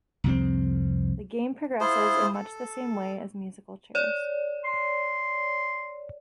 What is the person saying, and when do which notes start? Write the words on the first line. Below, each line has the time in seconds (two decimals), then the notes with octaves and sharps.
The game progresses in much the same way as musical chairs.
0.24 C2 F2 C4
1.81 E4 F4 G#4 C5
2.34 A4
3.95 C#5 D5
4.64 C6